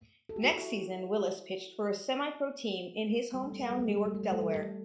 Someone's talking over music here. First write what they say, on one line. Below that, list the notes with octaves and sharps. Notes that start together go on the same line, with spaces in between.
Next season Willis pitched for a semipro team in his hometown Newark, Delaware.
A4
G4
F#4
E4
G3
A3
G3
A3
G3
A3
G3
A3
G3
A3
G3
A3
G3